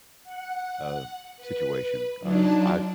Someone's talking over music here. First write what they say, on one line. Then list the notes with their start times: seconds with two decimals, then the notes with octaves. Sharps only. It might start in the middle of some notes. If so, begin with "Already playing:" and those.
uh, situation. Um, I
0.24 F#5
1.37 B4
2.21 F#3 D4 D#4 F4 D5 A5